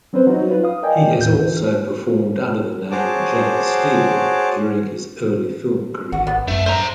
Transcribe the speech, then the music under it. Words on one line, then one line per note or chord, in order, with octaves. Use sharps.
He has also performed under the name J. Steele during his early film career.
F#3 C4 C#4 B4 C5
F#3 D#4 F#4
F4 B4
F5 D#6
A#4 D5 D#5 G5 G#5
D#2 A2 G6
F#4 G#4 C5 C#5 A5 D6
G#1 F#4
B3
F#2 A3
C5 E5 A#5